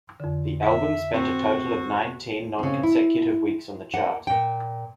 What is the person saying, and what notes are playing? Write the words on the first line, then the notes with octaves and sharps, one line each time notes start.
The album spent a total of nineteen non-consecutive weeks on the chart.
F2 D3
E5
C4 F#4
C#3 C4
E4
A#3 F#5
A#2 G5